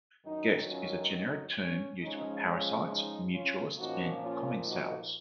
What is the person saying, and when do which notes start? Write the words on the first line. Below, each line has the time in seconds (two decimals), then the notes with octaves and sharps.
Guest is the generic term used for parasites, mutualists and commensals.
0.25 F#2 D#3 F#3 D#4
0.69 C#4 F4
1.13 D#4
1.58 C#4
2.02 C#3 F3 G#3 C#4 D#4
2.47 C#4 F4
2.90 D#4
3.34 C#4 F4
3.78 A#2 F3 A#3 C#4 D#4 F#4
4.22 C#4 F4
4.67 D#4 F#4